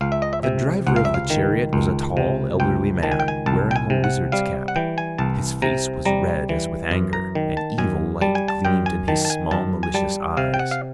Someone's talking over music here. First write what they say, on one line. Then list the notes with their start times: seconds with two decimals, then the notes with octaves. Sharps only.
The driver of the chariot was a tall, elderly man, wearing a wizard's cap; his face was red as with anger, an evil light gleamed in his small malicious eyes.
0.01 C#2 F5
0.12 E5
0.22 D#5
0.33 E5
0.43 C3 E5
0.87 C#2 F#5
0.96 F5
1.05 E5
1.14 F5
1.30 D#3
1.73 C#2
2.17 C3
2.60 C#2 G5
3.03 D#3 A5
3.12 G#5
3.20 G5
3.28 G#5
3.46 C2 A5
3.71 G5
3.76 G#5
3.90 C3
4.04 F#5
4.32 G3 F5
4.68 F#5
4.76 E3 G5
4.98 G#5
5.18 C2 A5
5.62 C3 A#5
6.05 G3 A#5
6.49 E3
6.91 F#2
7.13 A#5
7.35 D#3
7.57 A5
7.78 F#2 G#5
8.21 G3 A5
8.35 G#5
8.48 A5
8.65 F#2 G5
8.86 G#5
9.08 D#3 A5
9.25 A5
9.30 G#5
9.51 F#2 A5
9.83 G#5
9.94 G3 A5
10.37 C3 F5
10.54 G5
10.59 F#5
10.71 F5